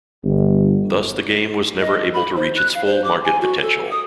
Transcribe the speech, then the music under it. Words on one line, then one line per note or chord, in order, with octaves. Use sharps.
Thus the game was never able to reach its full market potential.
G1
D#5
B5
C5
F#6
F5
C5
D6
G#5
F#4
A4
D#6